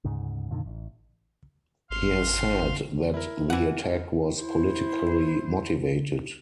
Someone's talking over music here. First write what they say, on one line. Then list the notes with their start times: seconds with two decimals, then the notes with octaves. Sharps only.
He has said that the attack was politically motivated.
0.04 D2 G#2 C#3
0.51 F2 A#2 D3 D#3
0.66 A1
1.90 G#1 F5 C6
3.14 E4 A#4
3.50 E3 F#5
4.39 E4 C5